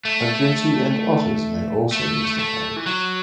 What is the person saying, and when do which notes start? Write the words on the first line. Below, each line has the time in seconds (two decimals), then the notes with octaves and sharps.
Agouti and otters may also use the cave.
0.05 A3
1.92 A3
2.39 A3
2.76 E3
2.87 F#3